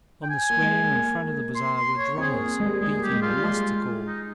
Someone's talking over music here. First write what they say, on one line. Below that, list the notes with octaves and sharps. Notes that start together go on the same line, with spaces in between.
On the square in front of the Bazaar were drummers beating the muster call.
G5
G#5
A#3
G#3
A#3
C6
C6
C#5
C4 G#4
A#3
G#3
G3
G#3 G#4
A#3
G4
A#3
G#3
F4
G3
G#3
D#4